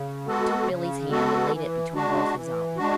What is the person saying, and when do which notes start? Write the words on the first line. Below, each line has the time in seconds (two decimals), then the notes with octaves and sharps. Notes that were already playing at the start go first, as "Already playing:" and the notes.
He took Billie's hand and laid it between both his own.
Already playing: C#3
0.27 G#3 B3 F#4 A4
0.68 C#3
1.10 G#3 B3 F#4 A4
1.52 E3
1.94 G#3 D4 F#4
2.36 E3
2.77 G#3 D4 F#4